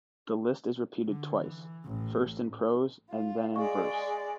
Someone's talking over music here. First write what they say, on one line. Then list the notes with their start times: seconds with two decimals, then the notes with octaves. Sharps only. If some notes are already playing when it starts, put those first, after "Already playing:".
The list is repeated twice, first in prose and then in verse.
1.07 D3
1.39 E3
1.85 A1
3.10 F4
3.56 G#3 G#4 D5 F5 C#6